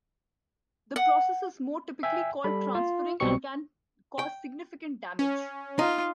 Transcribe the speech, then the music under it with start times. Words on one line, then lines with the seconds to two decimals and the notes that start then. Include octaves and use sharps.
The process is more typically called transferring and can cause significant damage.
0.96 F#5
2.03 E5 G5 G#5
2.44 G3 A4 B5
2.75 F4
3.20 B1 B2 G3 C4 C#6 C#7
4.19 G5
5.19 C#4
5.79 D#4 F4